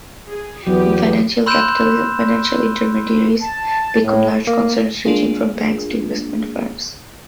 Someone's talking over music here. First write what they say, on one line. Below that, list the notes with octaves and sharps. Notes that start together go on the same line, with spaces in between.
In financial capitalism, financial intermediaries become large concerns, ranging from banks to investment firms.
G#4
E2 F#3 B3 F#4 G4 B4
B5 C6 E6 F#6 G6 E7
A5
A2
A#3
G#3 A#3 D4 F4 G#4